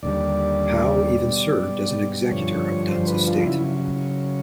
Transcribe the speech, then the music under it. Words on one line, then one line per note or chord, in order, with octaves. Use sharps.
Howe even served as an Executor of Dunn's estate.
D#2 D3 G3 D5
B2 G3
G2 D3 F3 C#5
C5
B4
F4
C#3 F#3 E4